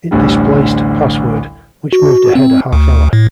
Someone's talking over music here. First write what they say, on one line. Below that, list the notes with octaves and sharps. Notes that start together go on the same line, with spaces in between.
It displaced "Password", which moved ahead a half-hour.
A1 D2 D3 G3
F#4
C4
D2
A2